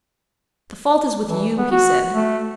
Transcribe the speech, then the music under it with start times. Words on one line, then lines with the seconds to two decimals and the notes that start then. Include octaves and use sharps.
"The fault is with you," he said.
1.26 E3
1.58 B3
1.71 F#4
2.14 A3